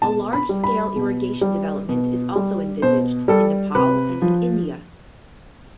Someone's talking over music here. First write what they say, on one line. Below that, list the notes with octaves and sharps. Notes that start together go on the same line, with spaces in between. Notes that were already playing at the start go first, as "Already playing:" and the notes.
A large-scale irrigation development is also envisaged- in Nepal and in India.
B2 A5
B5
G3
B5
B2
G3
B2
G3
B2 C5
G3 A4
C3 B4
F3